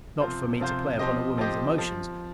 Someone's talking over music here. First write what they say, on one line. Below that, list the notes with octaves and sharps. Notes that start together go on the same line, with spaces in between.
Not for me to play upon a woman's emotions!
C3 F3 C4 F4 C5
C3 F3 C4 F4 C5
F3 C4 G4 D#5
F3 C4 G4 D#5
F3